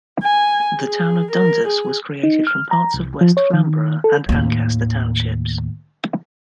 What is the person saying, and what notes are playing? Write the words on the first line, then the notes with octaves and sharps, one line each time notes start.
The town of Dundas was created from parts of West Flamborough and Ancaster Townships.
G#5
G#4
A#4
G#4
D#4
F6
A#5
C2
F3
C#5
D#3
A4
D#2 A2